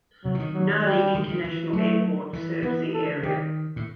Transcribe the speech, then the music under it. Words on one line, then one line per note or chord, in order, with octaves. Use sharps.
Nadi International Airport serves the area.
C3 F#3
E3
D#3
F#3
G3
D#3
D#3
E3
F#3 A3
E3
E3 B3
A4
D#3 G4
A2